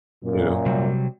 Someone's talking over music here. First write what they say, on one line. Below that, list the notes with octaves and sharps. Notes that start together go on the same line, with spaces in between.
you know,
F#2 A#2
C3 F#3 G3